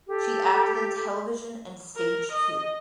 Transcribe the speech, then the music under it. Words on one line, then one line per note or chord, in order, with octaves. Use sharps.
She acted in television and stage too.
G4 A4
A#4
D#5